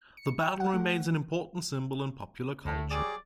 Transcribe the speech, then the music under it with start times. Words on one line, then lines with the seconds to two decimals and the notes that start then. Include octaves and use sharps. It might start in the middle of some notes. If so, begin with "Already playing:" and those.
The battle remains an important symbol in popular culture.
0.17 C#7
0.40 G5
0.60 F#5
0.74 A3
2.65 D2 A2
2.90 F#3 G3 G#4 D5